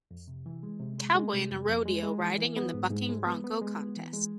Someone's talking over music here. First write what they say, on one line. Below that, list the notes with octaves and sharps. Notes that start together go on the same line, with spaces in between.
A cowboy in a rodeo riding in the Bucking Bronco contest.
F2
C3
E3
G#3
C3
G#3
G#3
C3
F2
F2
G#3
G#3
E3
E3
B3
G#2
G#2
G#3
B3
B3
G#3
B3
E3
G#3